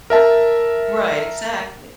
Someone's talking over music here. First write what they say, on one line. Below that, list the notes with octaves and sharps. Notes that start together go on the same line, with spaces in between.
Right, exactly.
A#4 E5 A5